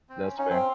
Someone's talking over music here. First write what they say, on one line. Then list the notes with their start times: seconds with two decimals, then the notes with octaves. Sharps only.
That was fair.
0.09 C4
0.23 C#4
0.37 C#4 D#4
0.50 C4 F4